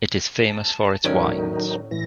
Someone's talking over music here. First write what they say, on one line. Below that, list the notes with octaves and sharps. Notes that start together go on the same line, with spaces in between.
It is famous for its wines.
A5
A2 D#3 F#3 C#4 D#4 D5
A2 E3 A#6